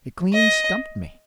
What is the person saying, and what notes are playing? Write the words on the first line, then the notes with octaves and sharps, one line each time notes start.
It clean stumped me.
D#5